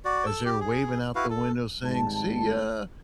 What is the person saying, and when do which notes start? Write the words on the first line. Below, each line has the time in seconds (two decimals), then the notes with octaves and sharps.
as they were waving out the window saying, "See ya!"
0.05 F#4 D5
0.26 A4 E6
0.45 G4
0.60 G#4
1.15 E4 F#4 B4 F5
1.30 A4
1.84 G#1 G#2 G3 A5